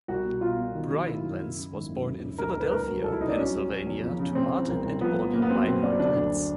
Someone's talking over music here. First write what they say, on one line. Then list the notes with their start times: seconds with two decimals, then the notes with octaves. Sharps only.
Bryan Lentz was born in Philadelphia, Pennsylvania, to Martin and Bonnie Minehart Lentz.
0.08 C2 F#4
0.25 B2
0.41 B2 F4
0.58 B2
0.74 D#3
0.90 F#3
1.07 F#3 E4
1.23 F#2
1.40 F#2
1.56 C#3
1.72 G#1
1.88 F#2
2.06 D2
2.21 C#3
2.38 D2 A#4
2.49 A#4
2.55 D2
2.60 B4
2.71 C2 A#4
2.88 F#3
3.04 C2 A4
3.12 E4
3.20 C2 D#4
3.29 D4
3.36 F#3 C#4
3.53 F#3
3.69 F#3
3.86 E2
4.02 F2
4.19 C#3
4.35 C#3 C4
4.52 E3
4.68 C2
4.84 C2
5.01 F3 B3
5.18 F3
5.33 F#1 A#3
5.42 B3
5.50 F#3 C4
5.58 B3
5.67 F#1 C4
5.83 F#3 D4
5.99 D3 D4
6.16 D2